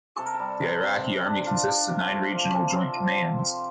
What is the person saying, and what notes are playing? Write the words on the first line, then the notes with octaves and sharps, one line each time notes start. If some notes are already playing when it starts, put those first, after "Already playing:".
The Iraqi Army consists of nine regional joint commands.
C3 A4
A#4
A4
G3
C3
C3
C3
D4
D4 F4
D4
C3 G4
A3
F3
C3
A#4
C3 A4
F3
C3 C5
F3